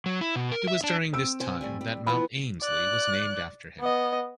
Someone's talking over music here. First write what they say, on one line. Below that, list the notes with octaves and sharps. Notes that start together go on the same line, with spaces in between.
It was during this time that Mount Ainslie was named after him.
F#3
E4
B2
A#4
E5
D4
C4 E6 D7
B2 C5 G#5
A2 G3 G#5
G3
E3 F3 B3 B5
D5 F#6
B3 D#5